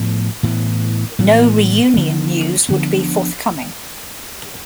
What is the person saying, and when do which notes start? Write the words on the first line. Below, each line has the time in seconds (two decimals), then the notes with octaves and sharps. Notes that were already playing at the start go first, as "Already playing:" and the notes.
No reunion news would be forthcoming.
Already playing: A2 F3 B3
0.43 A2 E3 B3
1.19 A2 E3 B3
1.94 D3 F3 B3
2.69 D3 F3 B3